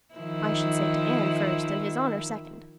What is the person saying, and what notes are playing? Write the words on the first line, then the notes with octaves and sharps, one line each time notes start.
I should say to Ann first and His Honor second.
D#3 F3 E4